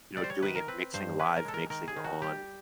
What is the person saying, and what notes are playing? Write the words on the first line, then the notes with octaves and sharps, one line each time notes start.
you know, doing it, mixing live mixing on,
G3 D5
C5
C#5
D#3 B4
A#4
C4 B4
G2 C5
C#4 B4
A#4
G#3 A4
A#4
D#3 A#4
G#4
D#3
F#4
G3 G4